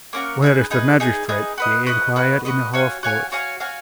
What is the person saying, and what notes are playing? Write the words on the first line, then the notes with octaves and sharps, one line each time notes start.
"Where is the magistrate?" he inquired, in a hoarse voice.
A#3 C#4 F#4 A#4
D#4 G#4 B4
D#4 G#4 B4
D#4 G#4 B4
D#4 G#4 B4
F#4 B4 D#5
F#4 B4 D#5
F#4 B4 D#5
F#4 B4 D#5
F#4 C#5 F5 G#5
F#4 C#5 F5 G#5
F#4 C#5 F5 G#5
F#4 C#5 F5 G#5